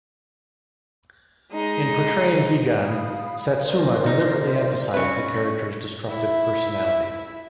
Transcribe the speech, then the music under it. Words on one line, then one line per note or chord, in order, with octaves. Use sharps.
In portraying Gigan, Satsuma deliberately emphasized the character's destructive personality.
G#3 D#4
F5 B5 D#6
A#4 C5 D5
D#4
C#4 B4 D5 D#5 C#6
E4 E5